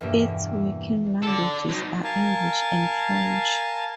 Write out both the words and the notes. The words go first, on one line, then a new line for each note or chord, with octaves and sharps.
Its working languages are English and French.
E2 G2 B2 A#3 G4 E5
A4 D5
F#3 D#4
A#4 F5 G#5 A5